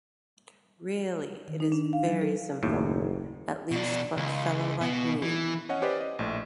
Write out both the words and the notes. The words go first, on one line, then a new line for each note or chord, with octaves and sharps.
Really it is very simple; at least for a fellow like me.
D#3
D#4
D4
F5
F#3
A4
F#1 D#2 A2
B2 D4
C#2
B2 B3
E3
C#4 C#5 D#5 F#5
C#4 G4 B4 C5 D5 D#5
D#5
A#1 A2 A3